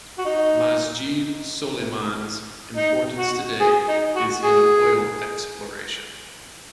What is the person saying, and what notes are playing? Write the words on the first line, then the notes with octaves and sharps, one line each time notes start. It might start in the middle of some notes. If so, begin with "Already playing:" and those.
Masjed Soleyman's importance today is in oil exploration.
F#4
D#4
D#4
F#4
G#4
D#4
F#4
G#4